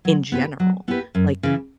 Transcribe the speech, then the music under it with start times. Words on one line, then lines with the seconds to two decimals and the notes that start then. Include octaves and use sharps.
in general. Like,
0.05 F#3
0.32 B3 E4 G4 B4
0.60 F#3
0.88 B3 E4 G4 B4
1.15 F#2
1.43 C#3 E3